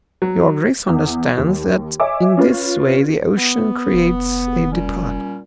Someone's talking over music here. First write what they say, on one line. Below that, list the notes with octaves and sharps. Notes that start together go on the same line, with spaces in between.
"Your Grace understands that in this way the ocean creates a department."
F#3
E2
D#2
C#5 D#5 E5 G#5 D6
C#4 F4 B4
B3
F1
A#2 G3 C#4